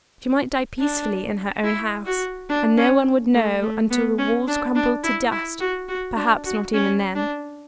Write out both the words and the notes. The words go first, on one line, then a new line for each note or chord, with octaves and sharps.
She might die peacefully in her own house, and no one would know until the walls crumbled to dust--perhaps not even then.
D4
E4
F#4
D4
C#4
A3
A3
B3
C#4
D4
D4
E4
E4
F#4
F#4
D4
F#4
C#4
D4